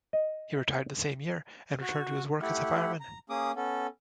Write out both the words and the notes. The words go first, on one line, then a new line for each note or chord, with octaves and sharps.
He retired the same year and returned to his work as a fireman.
D#5
F#4
A3 E4 G4 F#5
A#5
A#3 C#4 G#4 D6 D#6
B3 C#4 A4